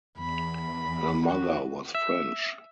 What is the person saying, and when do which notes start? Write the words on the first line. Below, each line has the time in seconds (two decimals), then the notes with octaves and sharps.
Her mother was French.
0.19 E2 B5
1.27 F#4
1.95 E5